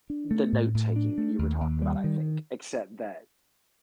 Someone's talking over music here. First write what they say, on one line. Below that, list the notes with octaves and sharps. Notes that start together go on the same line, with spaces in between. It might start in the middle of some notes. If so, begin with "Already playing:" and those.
the note-taking that you were talking about, I think, except that,
D4
A3
A2
A2
D4
A3
D#2
D#2
G3
D#3